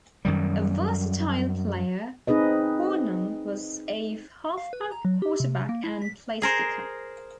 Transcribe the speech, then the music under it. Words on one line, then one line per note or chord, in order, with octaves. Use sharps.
A versatile player, Hornung was a halfback, quarterback, and placekicker.
F#2 D#3 G3
C4 D#4 G#4 B4 D#5
F5
B4
A#5
F#3
G4
C3
A#3
E4
B6
G#4 A#4 C5